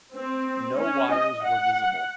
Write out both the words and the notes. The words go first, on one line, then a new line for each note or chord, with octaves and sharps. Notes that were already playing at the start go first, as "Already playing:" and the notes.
No wires were visible.
C4
C#4
D#5
F#5